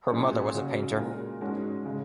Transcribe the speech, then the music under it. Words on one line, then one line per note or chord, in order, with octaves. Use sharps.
Her mother was a painter.
A#2 F#3 C#4 G#4 C#5
C#3 F#3 C#4 F#4
A#2 G#3 F#4 A#4
G#2 G#3 C#4 F#4
C#3 G#3